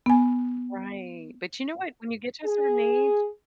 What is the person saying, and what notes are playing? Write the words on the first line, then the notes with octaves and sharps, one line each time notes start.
Right but you know what? When you get to a certain age,
B3 G#5
G#4